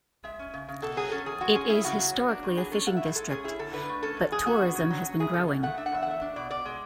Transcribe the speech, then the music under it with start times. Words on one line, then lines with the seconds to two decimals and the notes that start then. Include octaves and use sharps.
It is historically a fishing district, but tourism has been growing.
0.24 G#3 E5
0.39 C#4
0.54 C#3
0.69 C#3
0.82 B2 A4
0.97 F#3 G#4
1.11 C#4 A4
1.26 E2 G#4
1.41 G#3 F#4
1.55 C#4 G#4
1.69 E4 G#4
1.84 C#3 F#4
1.99 F#3
2.13 B3
2.29 D4
2.43 A2
2.57 F#3 G#4
2.72 C#4 A4
2.87 E4 F#5
2.96 E5
3.01 A2 G#4
3.16 G#3 A4
3.30 C#4 G#4
3.44 E4 G#4
3.59 D3 A4
3.73 D3 B4
3.89 A3
4.03 C#4 A4
4.17 E2
4.32 G#3 G#4
4.46 B3 F#4
4.61 D4
4.75 C#3
4.90 F#3
5.05 C#4
5.19 E4 G#4
5.33 C#3 A4
5.48 B2
5.63 A3 F#5
5.78 D4 E5
5.86 F#5
5.92 E2 E5
6.02 F#5
6.07 A3 E5
6.21 D4
6.36 B2 D5
6.50 B2 D5
6.65 G#3